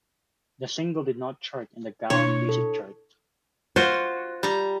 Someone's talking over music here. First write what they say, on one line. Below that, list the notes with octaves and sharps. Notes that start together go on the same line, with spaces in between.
The single did not chart in the Gaon Music Chart.
B2 D4 E4 C#5 C6
A4
F4 F#4 C5
G3 A#5